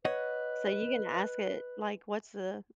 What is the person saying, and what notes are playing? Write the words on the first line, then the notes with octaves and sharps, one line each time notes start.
So you can ask it, like, "What's the"
B4 C#5 D#5 F#5